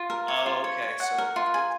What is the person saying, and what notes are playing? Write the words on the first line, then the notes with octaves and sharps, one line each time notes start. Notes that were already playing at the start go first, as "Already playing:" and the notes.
Oh, okay. So, close.
Already playing: F4
A#4
C#5
F4
C#5
C#5
F#5
A#4
F4
G#5